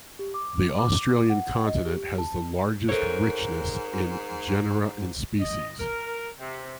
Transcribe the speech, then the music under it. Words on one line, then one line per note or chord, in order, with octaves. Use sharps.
The Australian Continent has the largest richness in genera and species.
G4
D6
D6
F#5
D#5
G4
A5
G#2 A4 A#4 C5 C#5
D#5
A#4
C3